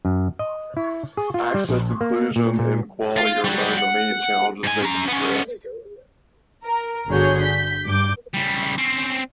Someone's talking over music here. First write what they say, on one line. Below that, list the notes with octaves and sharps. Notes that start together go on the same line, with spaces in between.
Access, inclusion and quality are among the main challenges they can address.
F#2
D#5
E4
G#4
F4
G3
A#1
A#3
A#2
A#2
F4
F#3 G3
F#5
G#2 G#5
C#4 A#5
B3 C#4
A#4
G1 D3 F#4 G#4 C#5 G6
G6 B6
G2 D6 G6
C#3 G3
C4 C#4